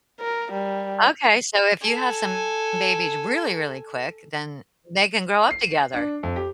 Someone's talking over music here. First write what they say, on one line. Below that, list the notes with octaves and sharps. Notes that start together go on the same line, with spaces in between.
okay, so if you have some babies really, really quick, then they can grow up together.
A#4
G3
A4 G#5
C7
D4
F2
G4